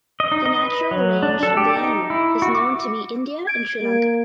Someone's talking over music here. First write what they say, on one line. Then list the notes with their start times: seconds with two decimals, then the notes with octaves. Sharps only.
The natural range of the animal is known to be India and Sri Lanka.
0.20 D#5
0.32 D#4
0.46 D#5
0.63 B4
0.91 F#3
1.23 D4
1.43 A4
1.57 G4
1.76 D#4
2.10 E4
2.42 F#4
2.55 D6
3.47 G#6 D7
3.81 A#3